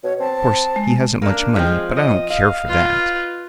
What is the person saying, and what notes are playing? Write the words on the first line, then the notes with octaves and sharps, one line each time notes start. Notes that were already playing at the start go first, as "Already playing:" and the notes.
Of course he hasn't much money, but I don't care for that.
B2 C#5
C4 A5
G#3
A#3 D4
F3 G#3 C4
D#5
D#5 F5
F4 B4